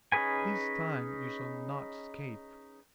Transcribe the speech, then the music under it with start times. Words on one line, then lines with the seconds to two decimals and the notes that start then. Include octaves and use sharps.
This time you shall not escape.
0.12 C#4 D#4 G#4 B4 G#5